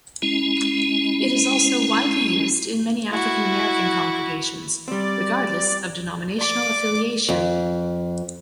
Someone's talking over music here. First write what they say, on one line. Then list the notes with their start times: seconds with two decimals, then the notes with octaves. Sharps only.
It is also widely used in many African-American congregations regardless of denominational affiliation.
0.22 G#3 C#4 E4
3.11 E4 F#4
4.88 G3 C4 D5
6.38 D5 D6
7.29 F2